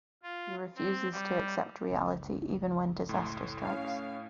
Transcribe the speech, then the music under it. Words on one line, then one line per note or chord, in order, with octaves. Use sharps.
He refuses to accept reality even when disaster strikes.
F4
C4
G3
F#1 C#2
A2 C6
C#4 F5